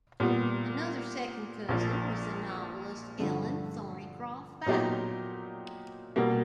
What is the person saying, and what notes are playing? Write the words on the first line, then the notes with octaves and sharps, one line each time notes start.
Another second cousin was the novelist Ellen Thorneycroft Fowler.
A#2 G3 B3
A#1 A#2 F3
G2 D3 F3 A3
A#2 F#3 B3 D#4 G4
B2 G3 A#3